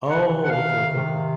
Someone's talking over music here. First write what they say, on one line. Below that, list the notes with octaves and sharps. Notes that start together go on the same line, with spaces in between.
Oh, okay, okay, okay.
C3 D#3 F#5
F#5
F5
C3 D#3